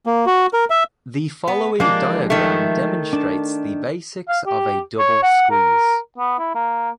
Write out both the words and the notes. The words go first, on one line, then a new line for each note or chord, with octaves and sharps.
The following diagram demonstrates the basics of a double squeeze.
A#3
F#4
A#4
E5
B3
F3 G#3 A#3 D4 G4
D#3 A3
D4 A5
F5
G4
C#5
F#5
A#4
B3
E4
A#3